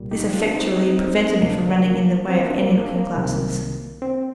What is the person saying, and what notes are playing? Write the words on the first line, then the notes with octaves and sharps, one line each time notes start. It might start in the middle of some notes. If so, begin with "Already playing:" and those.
This effectually prevented me from running in the way of any looking-glasses.
Already playing: C2 A#2 G3
D#4 G4
D4 F4
C4 D#4
C4 D#4
C4 D#4
D2 C3 F3 A#3 D4
A#3
C4
A#3 D4
C4
A#3
A#3 D4
C4
A#3
C2 C3 D#3
C4